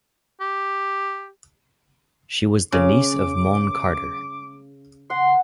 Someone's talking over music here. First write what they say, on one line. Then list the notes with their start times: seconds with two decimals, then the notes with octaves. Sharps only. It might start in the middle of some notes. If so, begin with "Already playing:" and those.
She was the niece of Maughan Carter.
0.41 G4
2.72 C#3 D6
5.10 F#5 C6